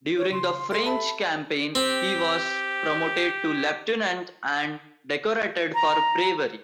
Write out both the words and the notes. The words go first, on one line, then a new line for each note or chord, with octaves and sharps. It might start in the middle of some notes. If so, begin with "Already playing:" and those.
During the French Campaign he was promoted to Leutnant and decorated for bravery.
C#5
C#3 C6
G4 A4 E5 C6
E5 A5 B5
C4 G4
A#5